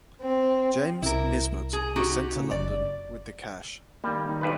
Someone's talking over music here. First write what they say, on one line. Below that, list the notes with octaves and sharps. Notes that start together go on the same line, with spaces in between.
James Nisbet was sent to London with the cash.
C4
C2 E4 A#4
G#4
D#4 F#4 G4
C#3
F#1 D5
D#3 G3 A#3
D#3 D#4
B1 G2 B4